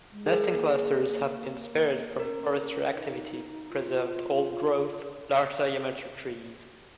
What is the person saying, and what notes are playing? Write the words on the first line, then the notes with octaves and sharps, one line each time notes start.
Nesting clusters have been spared from forestry activity to preserve old-growth, large diameter trees.
G#3
G#4
G#3 A#4
A#3
G#4
C#4 A#4
D#4
F4